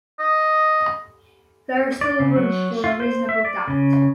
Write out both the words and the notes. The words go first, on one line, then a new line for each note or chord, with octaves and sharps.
There is still room for a reasonable doubt.
D#5
D5
C#3
F#3
F4
C5
E5
D5
C#3